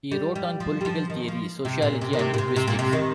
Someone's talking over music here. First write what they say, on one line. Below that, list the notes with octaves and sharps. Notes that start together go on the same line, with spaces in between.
He wrote on political theory, sociology and linguistics.
G3
G3
F3
G3
F3
D#3
F3
C3
A#2
C3
D#3
C3
A#2
C3
C3
A#2
C3
D#3